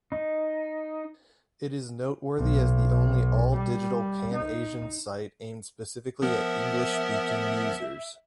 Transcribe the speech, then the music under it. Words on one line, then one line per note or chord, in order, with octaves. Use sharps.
It is noteworthy as the only all-digital, pan-Asian site aimed specifically at English-speaking users.
D#4
B1
G3
D#4
F3 B3 A#4 E5